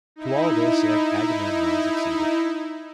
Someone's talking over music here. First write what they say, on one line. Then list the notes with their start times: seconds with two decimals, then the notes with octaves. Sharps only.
To all this Agamemnon succeeded.
0.16 D#4 E4